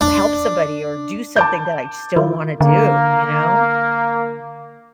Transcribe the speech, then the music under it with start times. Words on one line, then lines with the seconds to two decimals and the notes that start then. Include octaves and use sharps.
help somebody or do something that I just don't wanna do, you know?
0.01 D4
1.36 A5 D6 G6
2.16 D#3 E4 F4
2.61 D3 A#3